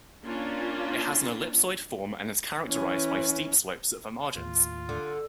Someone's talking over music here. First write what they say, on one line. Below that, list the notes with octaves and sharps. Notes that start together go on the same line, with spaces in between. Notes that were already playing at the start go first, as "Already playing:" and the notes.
It has an ellipsoid form and is characterized by steep slopes at the margins.
A#3 C#4 D4 F4
E3 C#4
D#2 A2 F4
D3